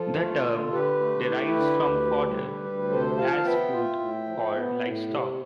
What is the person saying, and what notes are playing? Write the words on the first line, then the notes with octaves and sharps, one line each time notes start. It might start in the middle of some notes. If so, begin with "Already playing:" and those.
The term derives from fodder, as food for livestock.
Already playing: F3 F4 A4
A3
D3
D3 G4 B4
A3
E4
D3
D2
D3
G3
D2
C3 A4 C5
F3 F5 A5
B3 E5 G5
F4
A2
F3
B3
A2
C3